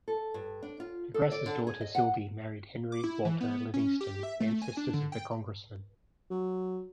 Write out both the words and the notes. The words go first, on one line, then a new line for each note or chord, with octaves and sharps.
De Grasse's daughter, Sylvie, married Henry Walter Livingston, ancestors of the Congressman.
A4
G2
D4
F4
A4
D5
D3
G#4
D#5
F#5
D6
E4
E3
B3
C#4
G4
E5
A3
G#5
D4
D3
G5
F#3